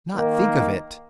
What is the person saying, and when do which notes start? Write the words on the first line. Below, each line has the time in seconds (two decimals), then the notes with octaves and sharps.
Not think of it!
0.15 D#3 A#3